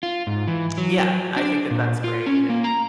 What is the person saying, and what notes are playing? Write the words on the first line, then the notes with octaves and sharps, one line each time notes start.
Yeah, I think that that's great and,
F4
G#2
E3
F#3
D4
A#2
F4
C#4
A#3
A#5